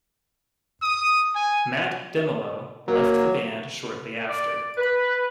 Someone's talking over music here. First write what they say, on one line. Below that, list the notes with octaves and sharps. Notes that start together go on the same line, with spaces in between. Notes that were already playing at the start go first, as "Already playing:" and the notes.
Mat Demelo left the band shortly after.
D#6
G#5
F#3 A#3
D5
B4